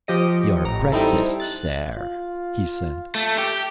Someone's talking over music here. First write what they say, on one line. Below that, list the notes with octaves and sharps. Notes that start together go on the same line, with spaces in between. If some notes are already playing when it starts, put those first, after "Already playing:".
"Your breakfast, sair," he said.
F3 G4 D#5 C#7 D7
A1 A#5
G3 C4 D#4 E4 A4
F#6 A6
F4
A3
G4